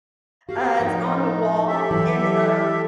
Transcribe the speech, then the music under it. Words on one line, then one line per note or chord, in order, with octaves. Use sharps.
uh, it's on the wall and, um
F#4 G4 F5
A2 F3 D#4 F#5 G5
G4 A4 E5
E3 F#3 E4